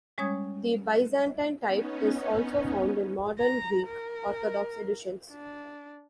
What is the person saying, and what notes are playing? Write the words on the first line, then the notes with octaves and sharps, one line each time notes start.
The Byzantine type is also found in modern Greek Orthodox editions.
G3 G#3 C#4 C#5 D#6 G#6
B3 C#4 D#4
A#5
A#4
D4